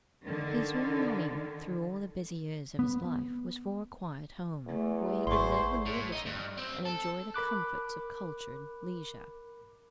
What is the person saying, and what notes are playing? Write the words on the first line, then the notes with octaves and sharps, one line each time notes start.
His one longing through all the busy years of his life was for a quiet home, where he could live in liberty and enjoy the comforts of cultured leisure.
D3 D#3
B3
E2 A3
G#1 E4 C5 C6 C#6
A2
D#4
G2
C4
A4
A#4 B5 D6 F#6